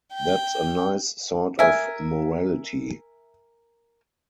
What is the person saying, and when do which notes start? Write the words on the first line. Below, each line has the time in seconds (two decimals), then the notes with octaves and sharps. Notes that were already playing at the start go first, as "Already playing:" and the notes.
That's a nice sort of morality.
0.14 G5
1.59 A#4 E5 G#5